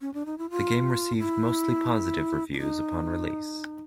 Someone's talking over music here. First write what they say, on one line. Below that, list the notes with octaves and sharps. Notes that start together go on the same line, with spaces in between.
The game received mostly positive reviews upon release.
C#4
D4
D#4
E4
F4
E4
D4
D#4